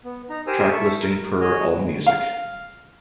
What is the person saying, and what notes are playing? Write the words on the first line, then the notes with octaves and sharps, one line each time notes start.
Track listing per AllMusic.
B3
D#4 A#5
G4 A#4 C5 G#5 A#5 E6
A4 E5 C#6
A#4
F#4 G#4 C#5 D#5
F5